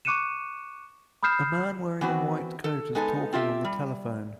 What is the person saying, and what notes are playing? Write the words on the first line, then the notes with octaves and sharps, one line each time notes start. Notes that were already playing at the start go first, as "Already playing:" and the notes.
A man wearing a white coat is talking on the telephone.
C#6 D6 F#6 C#7 D#7 E7
B5 D#6 F6 G6 C7 E7
E3 B3 C4 F#4
A4
G#3 B3 D#4 A4 G#5
C4 F4 G4 E5
G3